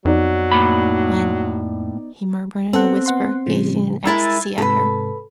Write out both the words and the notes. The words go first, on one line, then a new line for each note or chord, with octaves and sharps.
"When?" he murmured in a whisper, gazing in ecstasy at her.
F2 F#3 B3 D#4 D5
A2 A#3 B5
B3 C4 A4 F#5
B3 F#5 C6
A2 C#3 F3
G#3 E4 A#4 E6 G#6 A6
G#2 C3 A4 B4